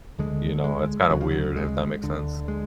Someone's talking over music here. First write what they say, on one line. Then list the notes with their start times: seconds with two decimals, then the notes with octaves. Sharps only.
you know, it's kinda weird, if that makes sense.
0.19 D2 D3 G#3
0.64 G#3
1.10 D2 C#3 F#3
1.21 F3
1.31 F#3
1.56 G#3
2.03 D2 D3
2.48 G#3